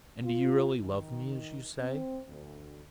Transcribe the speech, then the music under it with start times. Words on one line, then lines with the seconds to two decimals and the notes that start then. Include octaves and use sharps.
"And do you really love me as you say?"
0.24 F4
0.80 D#3
1.80 C4
2.28 D2